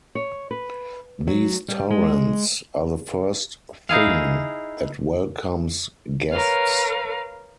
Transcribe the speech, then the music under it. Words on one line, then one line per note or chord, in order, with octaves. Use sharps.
These torans are the first thing that welcomes guests.
C#5
B4
F#3
G3
G#3
D#4 E4 G#4 F5
A#4 B4 C#5 F5